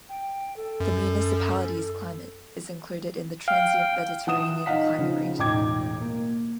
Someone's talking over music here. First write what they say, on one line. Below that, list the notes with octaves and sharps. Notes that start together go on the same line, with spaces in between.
The municipality's climate is included in the transient-Mediterranean climate region.
G5
A4
F#2
F5 G5
E3 F#5 D#6 E7
D#4 D#5 F5 F#5 B6
C#3 F3 D#4
E1 A1 D#4 G5 D6 G#6
A#3